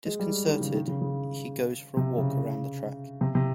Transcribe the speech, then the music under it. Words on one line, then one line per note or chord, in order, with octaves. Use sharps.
Disconcerted, he goes for a walk around the track.
G#3
G3
D#3
C#3
D#3
C#3
C#3
C3
C#3
C3
C3